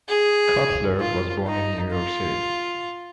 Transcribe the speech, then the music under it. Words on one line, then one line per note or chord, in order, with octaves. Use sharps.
Cutler was born in New York City.
G#4
F4
D#4
F4